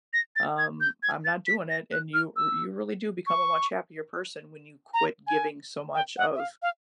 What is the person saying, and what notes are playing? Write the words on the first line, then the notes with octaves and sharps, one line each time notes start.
um, I'm not doing it." And you r you really do become a much happier person when you quit giving so much of
A#6
A6
G#6
G6
G#6
A6
B6
A#6
F#6
F6
E6
C#6
A#5
G#5
G5
F#5
E5
F5
F5